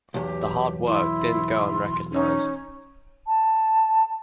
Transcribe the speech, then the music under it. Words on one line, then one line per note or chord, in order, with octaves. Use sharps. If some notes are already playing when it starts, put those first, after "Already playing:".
The hard work didn't go unrecognized.
B1 E2 G4
E4 C6
C#4 D#4
A5